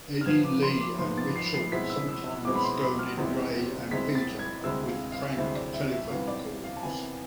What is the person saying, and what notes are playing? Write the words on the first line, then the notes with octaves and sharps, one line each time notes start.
Eddie Lee and Mitchell sometimes goaded Ray and Peter with prank telephone calls.
F6
G#2 F3 B3 G#6
D6
C6
D6
G#2 F3 B3 C6
A6
C7
C7
B2 G#3 C4 E4 B6
E6
E6
E6
B2 G#3 C4 E4 D6
B5
C6
B5
F6
E2 C3 G#3 C4 E4
E2 C3 G#3 C4 E4 B6
A6
G#6
D2 C3 G#3 C4 E4 E6
F5
F5
D2 C3 G#3 C4 E4 E5
D5
E5
E5
C3 E3 B3 F5
D5
F5
A5
C3 E3 B3 G#5